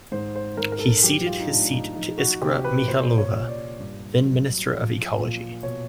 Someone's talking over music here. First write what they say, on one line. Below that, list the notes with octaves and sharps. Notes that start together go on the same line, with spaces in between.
He ceded his seat to Iskra Mihailova, then-minister of ecology.
G#2 C5
C5
G#2 A#4
A#4
A4
F#3 G4
F4
D#4
A2 D4
D#4
F3 D#4
F#4
C3 G4
B4
A#2 C5
C#5
A#2
D5
G2
F#3
F3
A#2
B2 C#5